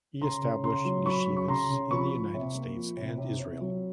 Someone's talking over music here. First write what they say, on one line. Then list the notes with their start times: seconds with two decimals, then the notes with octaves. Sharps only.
He established yeshivas in the United States and Israel.
0.21 C#3 A#5 C6
0.43 C#3
0.64 C#3 A#5 C6
0.85 F#3
1.06 F#3 B5 C#6
1.28 C#3
1.37 C#6
1.48 C#3 A#5 C6
1.70 C#3
1.91 F3 B5 C#6
2.12 F3
2.34 C3
2.55 A#3
2.76 F3
2.97 C3
3.18 C3
3.40 C3
3.61 F#3